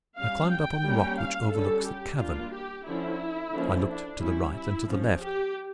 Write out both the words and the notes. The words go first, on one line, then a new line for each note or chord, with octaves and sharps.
I climbed up on the rock which overlooks the cavern; I looked to the right and to the left.
G3 C#4 F5
G5
G3 A#3 C#4
F5
D3 G3 C#4 A4
G4
G3 A#3 D4 F4
G4
D3 F3 C#4 E4
D3 F3 A#3 C#4
D4
G3 C#4 E4
E4
F3 C#4
G4